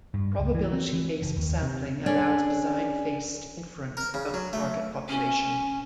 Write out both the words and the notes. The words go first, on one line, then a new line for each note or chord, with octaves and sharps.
Probability-based sampling allows design-based inference about the target population.
G2
C#2
E3
C4
E3
F#1
D#2
C3
C#4 D4 G#4 C#5 D5
A#4
C#3
F#3
A3
C#4